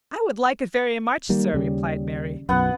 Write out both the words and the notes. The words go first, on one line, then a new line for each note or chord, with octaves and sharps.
"I would like it very much, sir," replied Mary.
D#3 G3 A#3
D#2 C#3 G3
B1 F#2 B3 B4 F#5